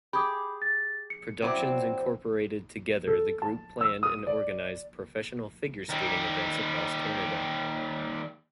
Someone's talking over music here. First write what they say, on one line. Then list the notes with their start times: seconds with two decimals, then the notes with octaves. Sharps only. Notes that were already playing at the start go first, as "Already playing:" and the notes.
Productions Incorporated Together the group planned and organized professional figure skating events across Canada.
0.13 G4 G#4 B5 D#6
0.62 A6
1.10 C#7
1.42 F#3 C4 E4 D5
3.07 A4
3.42 A5
3.81 E6
4.03 D#6
4.27 D5
5.89 D#2 G3